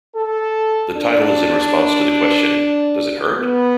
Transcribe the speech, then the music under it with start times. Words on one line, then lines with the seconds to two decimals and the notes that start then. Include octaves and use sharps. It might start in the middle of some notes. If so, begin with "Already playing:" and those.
The title is in response to the question, Does it hurt?
0.15 A4
0.96 D4
3.37 B3